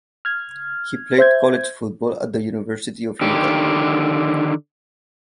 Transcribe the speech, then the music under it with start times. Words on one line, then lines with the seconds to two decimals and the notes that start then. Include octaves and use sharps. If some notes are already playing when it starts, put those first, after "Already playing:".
He played college football at the University of Utah.
0.25 F6 G#6
1.18 C5 E5 G6 G#6
3.21 D3 D#3 G4